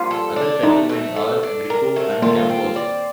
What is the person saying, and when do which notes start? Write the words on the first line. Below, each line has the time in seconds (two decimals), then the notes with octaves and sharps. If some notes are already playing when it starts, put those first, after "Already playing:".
Other settlements are Grikou and Kampos.
Already playing: G3 F4
0.11 A4
0.36 D4
0.63 A3 D#4
0.89 A3
1.16 A4
1.43 D4
1.70 A#4
1.96 A3
2.22 A#3 F4
2.50 C4
2.76 D5